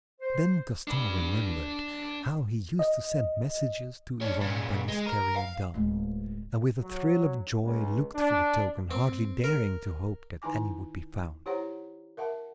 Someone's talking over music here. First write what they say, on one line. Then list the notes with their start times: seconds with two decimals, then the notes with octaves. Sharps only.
Then Gaston remembered how he used to send messages to Yvonne by this carrier-dove, and with a thrill of joy looked for the token, hardly daring to hope that any would be found.
0.20 C5
0.87 D4 B5
2.79 D#5
4.21 C#4 D4
4.41 A#2 C#3
4.88 G#3
5.06 A#4
5.36 F5
5.74 D1 G#3
6.80 F#3
7.60 C#2
8.15 D4
8.91 C4
9.44 A#4
10.42 D#3 D#4 E4 G#5 D6
11.46 E4 G4 C5 C#5 F#5 A#5
12.17 A#4 E5 F#5 A5